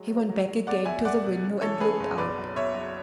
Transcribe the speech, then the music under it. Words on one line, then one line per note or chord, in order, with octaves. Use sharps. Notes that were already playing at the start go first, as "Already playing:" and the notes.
He went back again to the window and looked out.
Already playing: F#3 G#3
F#3
F#3
F#3
E2 D5 F#5
E2 E5 G#5
E2 D5 F#5
B2
C#3
E3 A4 C#5
C#3 G#4 B4
F#1
B1 B4 D5
F#3
B2 C#5 E5
F#3